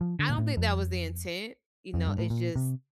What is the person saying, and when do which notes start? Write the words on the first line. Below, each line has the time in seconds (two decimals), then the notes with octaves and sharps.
I don't think that was the intent, you know? It's just,
0.01 F3
0.19 D3
0.29 A#2
0.38 A2
0.57 F2
1.94 F2
2.07 G2
2.18 A2
2.30 A#2
2.56 C3